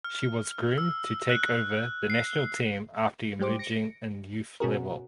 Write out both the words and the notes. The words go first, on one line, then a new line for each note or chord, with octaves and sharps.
She was groomed to take over the national team after emerging in youth level.
F6
E6
F#6
C7
G3 G#3 G4 C5 D6
A#6 C#7 D7
B2 B3 C#4 F#4 G#4 A#4